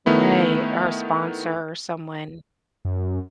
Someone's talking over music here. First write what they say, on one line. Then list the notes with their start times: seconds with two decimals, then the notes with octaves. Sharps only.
Right. Or a sponsor or someone.
0.06 D#3 A3 B3 E4
2.85 F#2